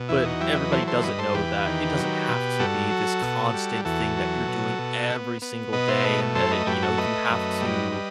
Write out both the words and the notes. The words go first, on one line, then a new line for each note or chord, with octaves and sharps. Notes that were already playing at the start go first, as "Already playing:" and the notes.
but everybody doesn't know that it doesn't have to be this constant thing that you're doing every single day and and that it you know, you have to
Already playing: B2
E2 E4
D#4 F#4
F#3 E4 G4
B4 D#5
E3 A4 C5
A4 C5
G2 B4 D#5
A4 C5
E2 G4 B4
D#3
F#3
B2
G2 F#4 A4
F#3
B2
G3
E2 F#4 A4
F#3
B2
B2
B3
B3
B2 B4 D#5
C5 E5
A3 B4 D#5
F#2 A4 C5
B4 D#5
F#2 G4 B4
F#4 A4
A3 B4 D#5
F#2
G3
G3